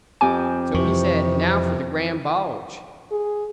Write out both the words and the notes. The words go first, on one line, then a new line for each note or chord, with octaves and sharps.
So he said, now for the grand bulge!
F2 G4 G#5 D6
F2 C3 E3 C#6
G#4